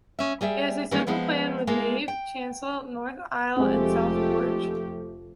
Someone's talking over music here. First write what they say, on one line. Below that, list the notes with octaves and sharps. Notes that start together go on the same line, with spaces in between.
It has a simple plan with nave, chancel, north aisle and south porch.
C#4 E5
G3 G#4 D5 E5
D#3 E3 G3 G#3 A#3 C#4
F3 G#3 B3 C4
G#3 A#3 E4 A4
G5
F1 F3 G#3 A3 C4 G4